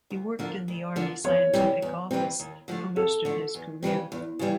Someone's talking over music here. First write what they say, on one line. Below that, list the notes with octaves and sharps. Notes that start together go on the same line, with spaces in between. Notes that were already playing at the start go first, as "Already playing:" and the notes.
He worked in the Army Scientific Office for most of his career.
D2
D3 F3 A#3
D2
D3 F3 A#3
E2 C#5
C3 E3 G3 C4
E2
C3 E3 G3 C4
D#2
D3 F3 A3
D#2 A4
D3 F3 A3
E2
C#3 E3 G3 C4
E2
C#3 E3 G3